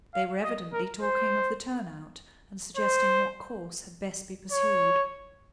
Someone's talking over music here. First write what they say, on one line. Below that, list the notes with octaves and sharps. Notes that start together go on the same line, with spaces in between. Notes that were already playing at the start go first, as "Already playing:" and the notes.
They were evidently talking of the turn-out, and suggesting what course had best be pursued.
F5
D#5
A#4
C5
C5
C#5